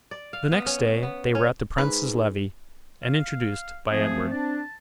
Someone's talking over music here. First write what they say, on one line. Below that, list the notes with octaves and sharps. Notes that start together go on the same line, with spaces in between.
The next day they were at the prince's levee, and introduced by Edward.
D5
F5
B3
C#4
B3
C#4
G#2 B4
F5
F3 A3 C4 G#4
D4 A5